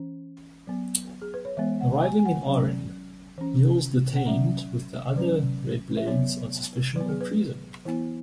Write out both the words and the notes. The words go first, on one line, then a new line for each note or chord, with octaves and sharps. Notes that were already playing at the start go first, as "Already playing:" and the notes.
Arriving in Aren, Yil's detained with the other Red Blades on suspicion of treason.
Already playing: E3 C#4
F#3 B3
G#4
B4
C#5
E3 G#3 B3 E5
F#5
G#5
G#5
F#5
F#3 C#4
E3 C#4
F#5
F#3 C#4 E5
F#3 C#4 B4
E5
F#3 B3 C#5
F#3 B3 B4
G#4
B4
E3 B3 E4